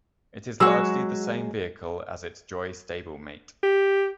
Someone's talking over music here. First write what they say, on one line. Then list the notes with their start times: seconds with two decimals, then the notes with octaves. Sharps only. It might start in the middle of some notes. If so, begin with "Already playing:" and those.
It is largely the same vehicle as its Joy stablemate.
0.60 F#3 G#3 F#4 E6
3.63 G4